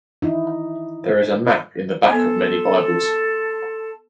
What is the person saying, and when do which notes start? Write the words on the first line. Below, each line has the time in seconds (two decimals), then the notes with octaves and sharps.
There is a map in the back of many bibles.
0.22 D#4 E4
2.10 B3 A4 A5 C6